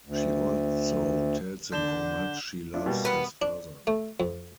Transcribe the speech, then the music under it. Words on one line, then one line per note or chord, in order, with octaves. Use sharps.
She also tells him how much she loves his father.
D2
D3 D4 G6 E7 G7
D4 E4 F4
B2 G3 A#3
B3
D4
A3
F2